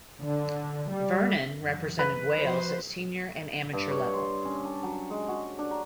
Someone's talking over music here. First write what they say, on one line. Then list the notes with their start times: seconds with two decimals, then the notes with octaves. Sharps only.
Vernon represented Wales at senior and amateur level.
0.21 D3
0.92 G3
1.58 F#2 E3
1.99 B4
2.38 F3 F#4 C5
3.73 G2
3.91 C#5
4.14 C6
4.45 C#4
4.64 A5
4.83 F#3
5.10 G#3
5.28 F#4
5.59 D4
5.71 A#5